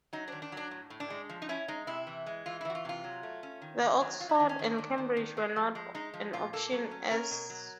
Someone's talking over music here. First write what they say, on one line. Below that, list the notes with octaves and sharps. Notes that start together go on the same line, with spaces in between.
Oxford and Cambridge were not an option as Nonconformists were banned from these universities.
F#3 D#4
D#3 D4
D4
F#3 D4
A2
A2
D4
G#3
F3
D#4
C#4 E4
G#3 D#4
C3 E4
E3
G#3
E3 F4
E4
E3 F#4
F4
C3 F4
F#3
A3
C#4
D#3
D#3
F#3
F#3 F4
E4
D#3 D#4
C#4
D#3 D4
D#3
D#3
D#3
G#3
F3
G#3
G#3 D#4
F3
A#2 F4
A#3 A4
F#3
C#4
C#4 A#4
B2
F#3